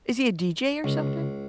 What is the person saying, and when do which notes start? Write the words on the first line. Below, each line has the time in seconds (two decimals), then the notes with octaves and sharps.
Is he a DJ or something?
0.84 C#2 C#3